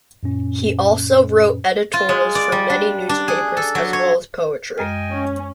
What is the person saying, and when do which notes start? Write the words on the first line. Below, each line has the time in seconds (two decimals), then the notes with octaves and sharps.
He also wrote editorials for many newspapers, as well as poetry.
0.23 F#2 A#2 C#4
1.93 F4
2.09 G#3
2.35 D5
2.52 G3
2.70 D4
3.09 D4
3.28 G#4
3.57 A4
3.75 F#3
3.93 C#5
4.78 F#2 G#3 D#5 G5 G#5 F6
5.11 C#4